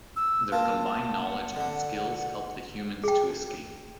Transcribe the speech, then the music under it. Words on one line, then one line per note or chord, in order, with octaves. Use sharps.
Their combined knowledge and skills help the humans to escape.
E6
A#3 F4 A5
F#5
D3 D4
G#4 G5